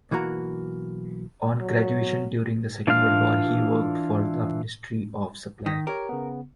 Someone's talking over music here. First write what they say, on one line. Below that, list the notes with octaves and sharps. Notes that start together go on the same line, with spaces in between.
On graduation, during the Second World War, he worked for the Ministry of Supply.
B1 E3 A#3 F#4 A#5
F#3
E3 D4 F4 F5 F6
D#3 D#6 A#6 B6
G4 A#4 C#5
C#3 B3